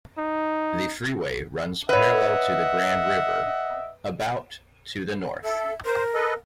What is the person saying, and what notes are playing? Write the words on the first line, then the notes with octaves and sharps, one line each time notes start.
The freeway runs parallel to the Grand River, about to the north.
D#4
B4 C#5 D#5 E5 F#5
A4 E5
A#4 C5
A4 B4 D#5